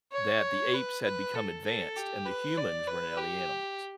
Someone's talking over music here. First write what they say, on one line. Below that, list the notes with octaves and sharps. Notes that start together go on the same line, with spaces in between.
that the apes had become advanced and the humans were now the animals,
C#5
B4
B4
A4
A4
G4
B4
D5
B4
G4